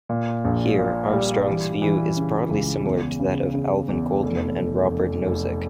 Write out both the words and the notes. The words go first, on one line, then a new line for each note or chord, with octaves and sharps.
Here, Armstrong's view is broadly similar to that of Alvin Goldman and Robert Nozick.
A#2
A#1
A#2
G3
E3
E3
C#3
C#2
E2
C#3
C#3
E2
F1
F1
F1
F1